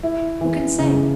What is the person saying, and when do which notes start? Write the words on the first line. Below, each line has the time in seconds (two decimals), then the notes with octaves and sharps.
Who can say?
0.03 E4
0.41 E3
0.79 C#3